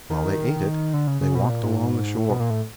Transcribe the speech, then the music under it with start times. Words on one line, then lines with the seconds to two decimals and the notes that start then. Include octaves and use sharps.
While they ate it, they walked along the shore.
0.10 D#3
0.93 D3
1.07 C#3
1.21 C#3
1.35 B2
1.49 A#2
1.63 G#2
2.19 A2
2.29 B2
2.40 A#2
2.50 A2